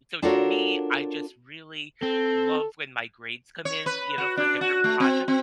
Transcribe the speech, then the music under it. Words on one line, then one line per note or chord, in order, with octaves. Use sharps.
so to me, I just really love when my grades come in, you know, for different projec
D4 F4 F#4 A4 A#4 C#5
C4 A4
C#5
B4
F#4
D4
F#4
A3
C4
C4